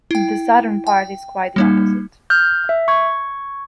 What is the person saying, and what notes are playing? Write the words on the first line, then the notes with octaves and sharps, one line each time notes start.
The Southern part is quite the opposite.
E4 G5
G5
G3 A#3 D#4
F6 G6
E5
C#6 G#6